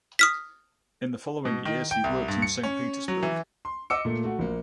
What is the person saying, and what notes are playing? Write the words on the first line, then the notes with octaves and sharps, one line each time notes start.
In the following years he worked in Saint Petersburg.
D#6 F6 B6
B2
D#3
G5
C2
G2
C#7
C#4
F#3
E3
C6
D#5 D6 E6 C#7
A#2 A3
A3 F#4
A#1 A#3